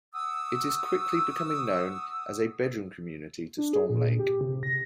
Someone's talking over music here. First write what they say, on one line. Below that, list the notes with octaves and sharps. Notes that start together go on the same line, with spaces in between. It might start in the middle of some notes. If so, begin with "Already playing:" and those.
It is quickly becoming known as a "bedroom community" to Storm Lake.
F#5 C#6 D#6 E6
D4
G#4
A#2
G4
C3
A#6